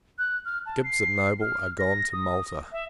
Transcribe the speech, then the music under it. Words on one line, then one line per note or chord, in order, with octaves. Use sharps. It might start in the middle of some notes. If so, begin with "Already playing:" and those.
Gibbs and Noble are gone to Malta.
F#6
F6
A5
C7
F6
A#6
D#6
E5